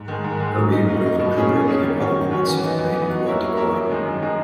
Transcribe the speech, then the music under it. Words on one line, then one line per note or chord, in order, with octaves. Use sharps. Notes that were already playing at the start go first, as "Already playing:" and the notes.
Ermey won over Kubrick in other points of Marine Corps decorum.
Already playing: G#2
D#3 G#3
G#2
D#3 G#3
F#3
A#3 D#4
F#3
A#3 D#4
B2
A#3 C#4 G#4 C#5
B2
A#3 C#4 G#4 C#5
D#3
F#3 C#4 F#4 C#5
D#3
F#3 C#4 F#4 C#5
E3
B3 D#4
E3
B3 D#4
F#3
A#3 E4 A#4 C#5
F#3
A#3 E4 A#4 C#5
F#2
D#3 G#3 D#4
F#2
D#3 G#3 D#4